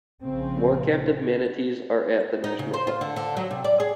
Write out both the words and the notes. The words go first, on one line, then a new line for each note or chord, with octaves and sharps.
More captive manatees are at the National Park.
A#1 C#3 C4
D#4
C#3
C5
F4
D3
D3
F#3
C3
D5
G#4